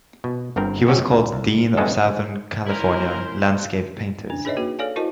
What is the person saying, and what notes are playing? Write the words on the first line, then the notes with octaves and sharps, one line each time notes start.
He was called the Dean of Southern California landscape painters.
B2
G1 G2 C4 A#4
C#4 F#4 G4
D2
C2
G2 G#3 A3 B3 G#4 A4
C#4 E4 A#4 C5
C#4 D4
D#4 G#4 B4 C#5 D#5 E5
A#3 F#4 G#4 B4
A4 C#5 D5 F5 G#5
E4 F#4 A#4 C5 D#5 A5